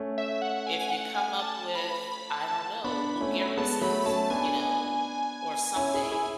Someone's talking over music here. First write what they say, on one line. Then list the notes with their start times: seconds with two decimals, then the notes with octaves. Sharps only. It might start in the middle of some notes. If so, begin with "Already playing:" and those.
if you come up with, I don't know, Lou Gehrig's, you know, or something,
Already playing: A3 C#4
0.18 E5
0.42 F#5
0.67 G#5
0.81 G#5
0.90 F#5
1.14 G#5
1.39 A5
1.75 B5
2.12 B5
2.30 A5
2.48 A5
2.84 B3 D4 B5
3.21 A3 C#4
3.57 G#3 B3 A5
3.81 F#3 A3 B5
4.06 A3 C#4 A5
4.30 B3 D4 G#5
5.76 C#4 E4
5.94 E4 G#4
6.12 E4 G#4